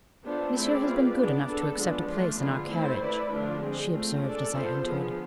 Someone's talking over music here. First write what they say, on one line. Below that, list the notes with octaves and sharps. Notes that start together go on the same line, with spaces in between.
'Monsieur has been good enough to accept a place in our carriage,' she observed, as I entered.
B3 D4 F4 A4 C5
A3 C4 E4 G#4 D5
G#3 C4 F4 B4 D5
B3 D4 G#4 D5
B3 D4 A4
F3 G#3 B3 D4
F3 A3 D4 F4
D3 G#3 B3 F4
A3 C4 E4 A4 C5
A3 E4 B4 D5
D3 F3 A3 D4 F4
G#3 C4 G#4
A3 C4 F4
G#3 D4 A4 D5
B3 F4 A4 C5
D3 F3 B3 F4 G#4